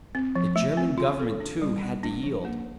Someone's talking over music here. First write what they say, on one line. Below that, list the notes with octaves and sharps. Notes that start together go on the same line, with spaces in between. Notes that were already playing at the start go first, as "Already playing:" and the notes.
The German Government, too, had to yield.
C4
F3
A3
C4
F4
A4
D4
G3
B3
D4
F3
A#3